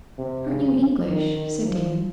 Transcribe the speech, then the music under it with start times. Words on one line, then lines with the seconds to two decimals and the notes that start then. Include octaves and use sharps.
'Aren't you English?' said Dan.
0.18 C3
0.48 C#3
1.07 D#3
1.37 D#3
1.67 F3